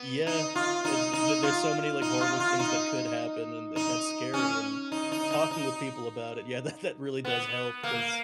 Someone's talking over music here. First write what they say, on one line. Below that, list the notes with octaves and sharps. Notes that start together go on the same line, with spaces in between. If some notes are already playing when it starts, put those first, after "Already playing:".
Yeah, tha th th there's so many, like, horrible things that could happen, and th that's scary, and talking with people about it, yeah, that that really does help 'cause
Already playing: B3
D#4
F4
D#4
D#4
F4
D#4
F4
F4
D#4
D#4
C#4
D#4
D#4
D#4
D#4
B3
A#3